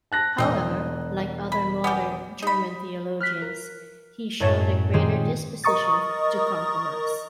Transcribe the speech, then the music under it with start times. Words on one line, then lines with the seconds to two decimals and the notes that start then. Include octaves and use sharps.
However, like other modern German theologians, he showed a greater disposition to compromise.
0.12 A5 F#6 A#6
0.38 E1 C4 D#4 D#5
1.52 B5
1.84 B3 C#4 G4
2.42 D#4 B5
3.21 F6 F#6 B6
3.42 A#4
4.40 F#2 A2 A3 C#5 A6 E7
4.93 A#2 D#3 G#3 C4 G#4
5.64 A#4 D#5 A#5 C#6 D#6 A6